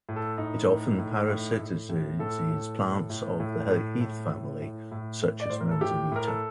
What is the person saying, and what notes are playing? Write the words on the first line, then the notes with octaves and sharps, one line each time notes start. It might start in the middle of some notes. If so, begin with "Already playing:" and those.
It often parasitizes plants of the heath family, such as manzanita.
A2
A4
A2 D#4
A2
A2
A2
A2
A2
A2 A4
A2
A2
A2
A2
A2
A2
A2
A2
A2
A2
D5
A2 C5
A#4
A4
A2 G4
A2 A#4
A4